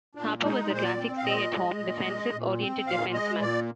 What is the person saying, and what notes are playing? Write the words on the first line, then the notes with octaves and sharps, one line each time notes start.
Harper was a classic stay at home defensive oriented defenceman.
A#2 D4
G#3 D#4
A#2 C5
D5
C4
F5
A#2 D#5
G#3
A#2
G#3
A#2
C4
A#2 F5
G#3 D#5
A#2 D5